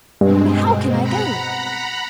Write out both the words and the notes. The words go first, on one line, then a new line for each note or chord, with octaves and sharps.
But how can I go?
G2 B2 G#3 C4
F#5 A#5 B5